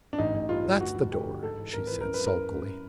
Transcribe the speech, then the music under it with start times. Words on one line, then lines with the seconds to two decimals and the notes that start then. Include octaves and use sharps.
"That's the door," she said sulkily.
0.13 D4
0.18 A1 D#4
0.34 A1
0.49 G2 F4
0.64 G2
0.80 D2 F#4
0.95 F3
1.12 D2 G4
1.27 D3
1.43 G#2 A4
1.58 E3
1.73 G#1 A#4
1.87 E3 B4
2.01 F#2 A#4
2.14 B4
2.21 F#2
2.27 A#4
2.36 F#2
2.51 F#2